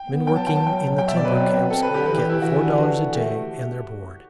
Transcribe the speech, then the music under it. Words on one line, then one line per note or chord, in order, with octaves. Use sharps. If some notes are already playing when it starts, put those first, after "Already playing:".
Men working in the timber camps get four dollars a day and their board.
Already playing: G5
B3
F#3 G5
A5
F#3 G5
A5
F#3 G5
B2
B2 G5
E5
F#3 D5
B4
C4
C4
C4 A4
B4
D3
G4
E3 B4
G4
E3
E4
E3 F#4
D4
D3 F#4
D3
A3 G4